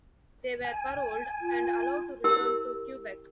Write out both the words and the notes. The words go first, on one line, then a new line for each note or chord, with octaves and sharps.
They were paroled and allowed to return to Quebec.
G#5
F4
E4 G4 A#4 C6 E6